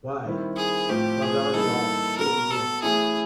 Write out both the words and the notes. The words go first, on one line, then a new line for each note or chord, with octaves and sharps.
Why, doggone you all, shake again.
D#3 G3 C4 E4
G#4
A2 F3 A3 C4 F4 G4
G#4
E3 G3 A#3 D#4 A4
B2 F#3 B3 A#4
A4
E3 A3 C#4 E4 G#4